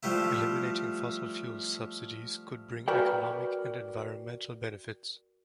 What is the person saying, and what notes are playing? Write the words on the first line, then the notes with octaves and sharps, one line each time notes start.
Eliminating fossil-fuel subsidies could bring economic and environmental benefits.
F3 G3 A3 E4
F#4 A#4 B4 D5 G5